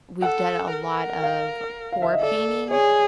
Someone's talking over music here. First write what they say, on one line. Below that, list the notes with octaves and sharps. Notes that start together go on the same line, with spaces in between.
we've done a lot of pour painting,
A4 F#5
A#4
F5
F5
E5
D#5
A4 D5
G#4 C#5